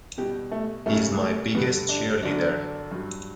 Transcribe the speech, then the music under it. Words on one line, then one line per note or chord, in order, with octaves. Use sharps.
He's my biggest cheerleader.
B2 G3 G4
A3
F#2 C#3 G3 A3
A3
G2 D3 G3 B3
D4
F#2 D3 F#3 D4
G2 F#3